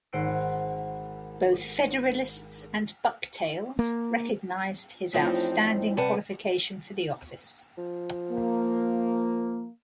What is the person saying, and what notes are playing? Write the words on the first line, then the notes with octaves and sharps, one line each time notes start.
Both Federalists and Bucktails recognized his outstanding qualification for the office.
G#1 C5 F#5 E6 D7
A#3
E2 A2 F3 B3 C4 D#4
C3 G3 B4 F#5 A5
F3
A#3